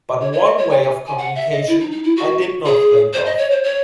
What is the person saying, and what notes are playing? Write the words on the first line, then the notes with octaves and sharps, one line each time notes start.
But one way of communication I did not think of.
C#5
C#5
D#5
C#5
G#5
G#5
G#5
F#5
E5
D#5
E4
D#4
D#4
E4
F#4
G#4
C5
D#5
C#5
C5
C#5